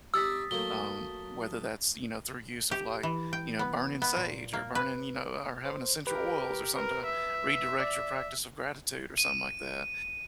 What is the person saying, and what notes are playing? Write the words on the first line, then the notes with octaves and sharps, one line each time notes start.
um, whether that's, you know, through use of, like, you know, burning sage or burning you know or having essential oils or something to redirect your practice of gratitude or something like that.
C4 D#4 G4 D#6 E6 A6 B6
F#3 A3 A#3 G7
G4
E3
G5
B3
B3
A#2
A#3
B4
C5
G4 A#4 B4
A#4 B4
E5
D5
D#7